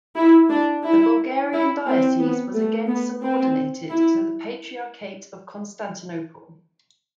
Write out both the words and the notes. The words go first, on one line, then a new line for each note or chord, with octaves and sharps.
The Bulgarian diocese was again subordinated to the Patriarchate of Constantinople.
E4
D4
E4
E4
C4
B3
A3
B3
C4
E4